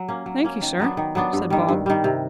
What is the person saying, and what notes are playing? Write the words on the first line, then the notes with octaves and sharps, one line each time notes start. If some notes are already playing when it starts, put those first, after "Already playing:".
'Thankee sir,' said Bob.
Already playing: F#3
A#3 C#4
F#3
A#3 C#4
D#3
F#3 B3 D4
D#3
F#3 B3 D4
G2
D#3 G3
G2
D#3 G3
C3